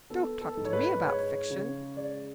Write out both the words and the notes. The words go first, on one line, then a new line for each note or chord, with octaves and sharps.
Don't talk to me about fiction!
B3 A4
A4
G#2
C#5
B4
G#3 C#5
C#3
G#3 D5